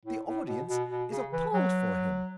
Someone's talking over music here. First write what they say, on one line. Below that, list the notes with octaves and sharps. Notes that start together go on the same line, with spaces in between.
The audience is appalled for him.
A2
A2
B2
B2
B2
C#3
E3
F#3